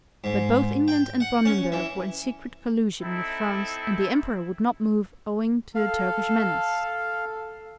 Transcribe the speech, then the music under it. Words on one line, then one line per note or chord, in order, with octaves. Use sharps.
But both England and Brandenburg were in secret collusion with France, and the emperor would not move owing to the Turkish menace.
G#2
G5
F#5
C#4
E3
C4 D#4 E4 A4
A4 F5